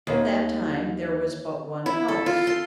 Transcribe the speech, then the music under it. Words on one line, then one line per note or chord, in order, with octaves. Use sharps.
At that time there was but one house.
D#2
E4
A4
F4
C6